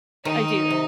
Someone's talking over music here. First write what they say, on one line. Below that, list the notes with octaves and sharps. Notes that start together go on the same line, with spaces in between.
I do.
D#3 D#4
C3